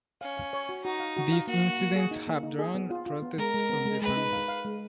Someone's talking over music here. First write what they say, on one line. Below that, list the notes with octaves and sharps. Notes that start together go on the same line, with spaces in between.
These incidents have drawn protests from Japan.
C#4 F5
F5
C#5
F#4
D#4 F#4
F5
F#4
F5
A#3 F#4
A#3
A#3
G#4
D#4
A#3
D#4
G#4
B3
F4
F4
B3
G#3 A#4
G#3
B3
G#3
G#3 B4
D#4
F5
F5
G#3